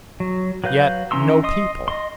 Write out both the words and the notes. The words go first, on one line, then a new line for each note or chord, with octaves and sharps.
Yet no people.
F#3
F#3 B4 F5 G6
E3 C#4 A#5 C6 E6
D#5 C6 D#6
D#5 C6